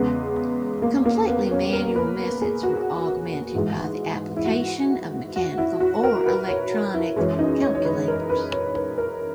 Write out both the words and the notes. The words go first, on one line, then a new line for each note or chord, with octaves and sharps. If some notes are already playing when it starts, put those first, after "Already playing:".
Completely manual methods were augmented by the application of mechanical or electronic calculators.
Already playing: E2 C#3 G#3 B3
A#3
A#3
B3
C#4
A#4
B4
G#4
F#4
G#2 E3 G#3
E4
F#4
F#4
E4
F#4
A#4
B4
C#5
E4
F#2 E3 G#3 C#4
D#4
C#5
C#5
B4
A#4
B4
C#5
B4
A#4